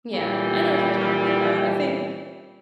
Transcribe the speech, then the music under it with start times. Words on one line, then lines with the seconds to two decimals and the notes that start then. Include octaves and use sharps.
Yeah, I know what you're talking about, I think
0.11 A#2 D3 E3 G3